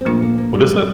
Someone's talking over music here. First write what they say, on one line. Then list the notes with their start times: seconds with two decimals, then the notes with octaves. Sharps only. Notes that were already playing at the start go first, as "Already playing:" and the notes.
What is it?
0.01 C4
0.05 A#2 F3 A3 A#3 D4 F4
0.22 A#3
0.38 A#3
0.54 G3
0.70 G3